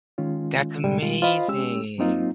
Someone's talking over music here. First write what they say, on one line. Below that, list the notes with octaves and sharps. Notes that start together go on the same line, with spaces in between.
That's amazing.
D#3 G#3 C#4 F4
A2 C3 G3 G#3
B2 G3 G#3 F4
F4 C5 D#5 F5 B5
G#3 C#4 G4 E6
F#3 A#3 C4 D#4 F4